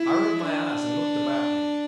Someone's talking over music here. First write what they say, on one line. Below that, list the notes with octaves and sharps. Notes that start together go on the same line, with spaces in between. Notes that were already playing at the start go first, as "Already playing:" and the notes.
I rubbed my eyes and looked about me.
Already playing: E4
D4